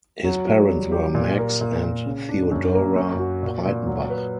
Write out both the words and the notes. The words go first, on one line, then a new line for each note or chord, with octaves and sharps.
His parents were Max and Theodora Breitenbach.
F#3
F#3
G3
G4
A#2
A#4
A#2
A#2
C#3
D4
F#2
A#3
F#2
F#4
A#2
A#2
F#3
B4